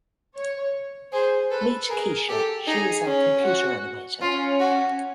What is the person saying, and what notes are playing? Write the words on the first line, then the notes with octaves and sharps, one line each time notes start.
Meet Kesha, she is our computer animator.
C#5
G#4 C5
A4 B4
G#4 A#4
G4 A4
D#4 G#4
C#4
F#4
C#4 F4
F#4